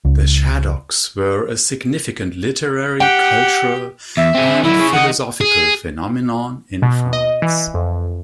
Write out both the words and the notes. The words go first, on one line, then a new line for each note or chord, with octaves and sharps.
The Shadoks were a significant literary, cultural and philosophical phenomenon in France.
C#2
G4 F#5 G5
E2 E5
C4 G#4
D3 F#3 E4
G#4 C#5
D#3 D#5 F#5
G#4
B2
D#5
E3
F2